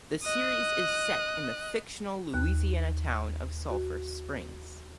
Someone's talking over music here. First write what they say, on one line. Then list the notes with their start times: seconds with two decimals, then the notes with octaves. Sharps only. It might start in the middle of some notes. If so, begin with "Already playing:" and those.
The series is set in the fictional Louisiana town of Sulphur Springs.
0.23 D#5 F#6
2.34 D#2 F#6
3.70 F#4